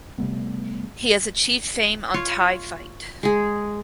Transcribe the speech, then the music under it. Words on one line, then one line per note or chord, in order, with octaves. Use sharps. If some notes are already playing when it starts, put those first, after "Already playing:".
He has achieved fame on Thai Fight.
C3 G3 A3 B3
F4 C#5
G#3 G#4